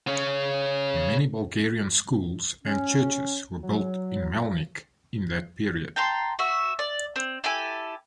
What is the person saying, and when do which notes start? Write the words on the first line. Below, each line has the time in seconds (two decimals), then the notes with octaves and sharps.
Many Bulgarian schools and churches were built in Melnik in that period.
0.07 C#3 C#4
2.64 C#4
3.62 F#3
5.96 G5 A5 A#5 C6
6.39 F#4 E5
6.79 D5
7.16 C4
7.44 E4 G4 A4 G#5